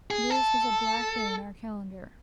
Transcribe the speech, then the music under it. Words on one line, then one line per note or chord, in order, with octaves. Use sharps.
This was a black day in our calendar.
G#4
A4